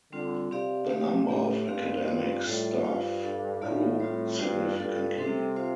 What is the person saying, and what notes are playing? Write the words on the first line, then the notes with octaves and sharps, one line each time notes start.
The number of academic staff grew significantly.
D3 G3 C4 F4
C3 C4 G4 D5 F5
A3 C4 G4 F5
A2 A3 D4 G4
G2 C4 G4 F5
C4 F4 C5 F5
A2 G3 F4 A4 D5
G2 F4 C5 F5
D4 A4 F5
A2 A3 F4 D5 F5
G3 C4 F4
G2 G3 F4 C5 F5
G2 G3 F4 A4 F5
C3 G3 C4 A4
C4 F4 C5 F5